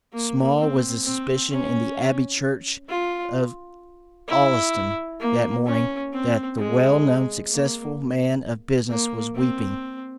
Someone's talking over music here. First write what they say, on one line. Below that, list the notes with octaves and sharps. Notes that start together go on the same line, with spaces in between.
Small was the suspicion in the Abbey Church of Olaston that morning, that the well-known successful man of business was weeping.
A#3
C4
C4
C#4
F4
E4
A#3
C#4
C4
G#3
A#3
A#3
C4